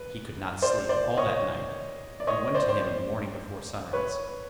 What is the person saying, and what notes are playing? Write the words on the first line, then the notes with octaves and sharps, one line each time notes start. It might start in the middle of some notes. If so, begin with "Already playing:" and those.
He could not sleep all that night, and went to him in the morning before sunrise.
Already playing: B4
C5 D5
C5 D5
C#5 D#5
D5
C#5 D#5
C5 D5
C5 D5
B4 C#5